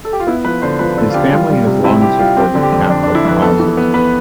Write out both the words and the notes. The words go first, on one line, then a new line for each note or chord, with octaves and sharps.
His family had long supported Catholic causes.
A4
G4
F4
B3 E4
F3 B4
D3 C5
F3 B4
D3 A4
F4
D3 G4
G3 F4
G3
C3
C4 E4
C4 G4
G3 F4
C4 G4
D3
G4
F2
D3 D4
D4
D3
E4
F2 B4
B3 A4
E3
B3
B3 B4